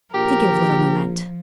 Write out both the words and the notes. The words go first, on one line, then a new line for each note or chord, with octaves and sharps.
I think it of little moment.
A#1 F3 G4 A#4